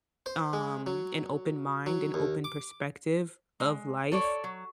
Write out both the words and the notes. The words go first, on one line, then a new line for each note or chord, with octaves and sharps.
um, an open mind and open perspective of life
C5
G#3
F#3
F#3
D#2
D6
G#3
A4 C#5 D5
F#3